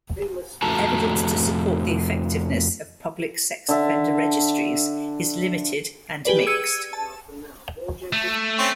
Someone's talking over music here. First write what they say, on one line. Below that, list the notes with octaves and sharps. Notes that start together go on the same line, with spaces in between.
Evidence to support the effectiveness of public sex offender registries is limited and mixed.
F2 A3 F#4 A5 A#5
D3 E5 A5
G4 G#4 B4 D5
E6 G#6 C#7 D#7
A5
A3
C4 C#4 C#6